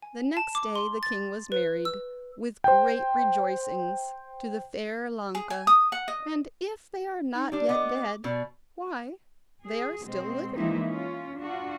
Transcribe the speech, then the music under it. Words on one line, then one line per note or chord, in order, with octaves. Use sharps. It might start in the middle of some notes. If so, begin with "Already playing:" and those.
The next day the king was married, with great rejoicings, to the fair Ilonka; and if they are not yet dead--why, they are still living.
G#5
A5
D6
C6
A6
B4
E6
C5 G5
G#4
G#5
D#6
F#5
D#5
D#4
G3 D4
B3 D#5 D6
B2 D5
G#4
B2 G#3 C4
E3 G#3 A#3 C4 D#4 E4
C#4 F4
D4 F4 F#4